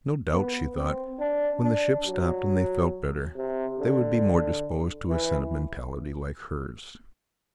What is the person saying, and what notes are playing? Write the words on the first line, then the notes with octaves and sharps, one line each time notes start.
No doubt, she thought, when the ship stopped and they felt better, they would be more disposed to a sentimentality like hers.
B3
C4
D4
D4
F#3
C3
D3
E3